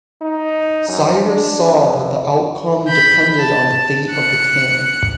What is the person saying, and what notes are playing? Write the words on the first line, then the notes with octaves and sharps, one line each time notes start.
Cyrus saw that the outcome depended on the fate of the king.
D#4
F#2
D4
F2
B5 G6
A5
F#6 C#7